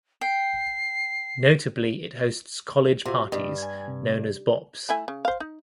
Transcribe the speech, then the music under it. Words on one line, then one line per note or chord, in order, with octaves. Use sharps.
Notably it hosts college parties known as bops.
G5 C7
C3 F4 F#4 C5
G2 D#5
G#5 G#6
C3
A3 E4 G#5
C#3
C5 F5
D#4